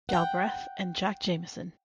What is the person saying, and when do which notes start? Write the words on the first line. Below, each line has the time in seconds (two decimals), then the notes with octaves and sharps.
Galbreath and Jack Jamison.
0.09 F#5 G5